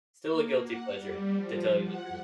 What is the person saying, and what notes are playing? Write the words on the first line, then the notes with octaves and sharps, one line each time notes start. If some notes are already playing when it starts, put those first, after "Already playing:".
still a guilty pleasure, to tell you the truth.
A#3
F#5
G3
F3
F#5